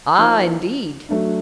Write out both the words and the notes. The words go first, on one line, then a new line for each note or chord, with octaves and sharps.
"Ah! indeed!"
F3 A#3 D#4
F#3 A3 D4